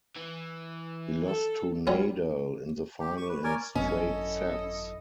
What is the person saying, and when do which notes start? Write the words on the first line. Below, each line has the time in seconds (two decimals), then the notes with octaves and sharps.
He lost to Nadal in the final in straight sets.
0.16 E3
1.27 A4
1.87 F#3 G3 C#4
3.00 G4
3.17 C#6
3.29 B4
3.44 A#4 C#5 D5 G#5
3.75 G#1 F#2 C#4 E4 A4 D#5